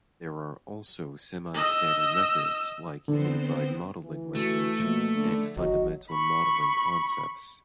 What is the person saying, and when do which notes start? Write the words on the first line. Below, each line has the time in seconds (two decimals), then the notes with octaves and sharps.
There are also semi-standard methods like Unified Modeling Language and Fundamental modeling concepts.
1.54 D#5 E6
3.08 D3 B3 C4 C5
4.04 E3
4.35 A3 F#4
4.80 B2 F3 A#3
5.14 D3
5.57 G1 F#3 D#5
6.10 B5 C#6